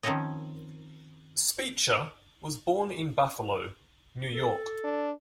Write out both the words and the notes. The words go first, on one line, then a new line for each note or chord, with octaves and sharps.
Speicher was born in Buffalo, New York.
D#3 F3 C4 C#4 C#5 D#5
A4
D4